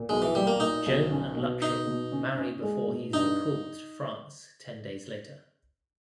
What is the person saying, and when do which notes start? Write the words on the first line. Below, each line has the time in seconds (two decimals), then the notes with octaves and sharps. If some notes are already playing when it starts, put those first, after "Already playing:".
Joan and Luttrell marry before he is recalled to France ten days later.
Already playing: A#2
0.09 B1 G#3
0.22 E3
0.35 A#2 G3
0.47 A#3
0.60 A#2 D#4
0.86 B1
1.10 C#4
1.36 B2
1.62 B2 D#4
1.87 B2
2.12 C#4
2.37 C#4
2.62 G#3
2.87 B2
3.13 G2 D#4